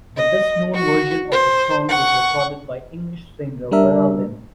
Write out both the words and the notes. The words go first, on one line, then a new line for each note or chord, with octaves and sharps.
The best-known version of the song was recorded by English singer Vera Lynn.
D#5
F#4 C#6
C5
F#5 C#6
G3 D4 A#4 E5